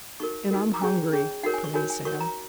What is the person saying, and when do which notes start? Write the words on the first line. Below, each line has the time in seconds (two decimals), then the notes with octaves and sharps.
"And I'm hungry," put in Sam.
0.20 D#4 F#4 A#4 C#6
0.51 D#4 F#4 A#4
0.74 A#5
0.81 C#4 G#4 C#5 G#5
1.12 C#4 G#4 C#5
1.43 D#4 F#4 A#4 C#5 F#5
1.54 G#5
1.64 C#6
1.74 D#4 F#4 A#4 C#5 G#5
1.90 G#5
2.05 F#4 A#4 C#5 C#6
2.20 A#5